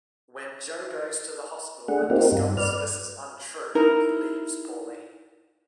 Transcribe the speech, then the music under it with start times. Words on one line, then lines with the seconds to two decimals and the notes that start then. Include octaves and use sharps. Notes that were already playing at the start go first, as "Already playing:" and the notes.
When Joe goes to the hospital and discovers this is untrue, he leaves Pauline.
1.88 A3 D4 G#4 F#5
2.10 A#3 C4 D#4 F4 G4 A#4
2.32 G2
2.57 B4 D5 F6
3.75 D#4 E4 A#4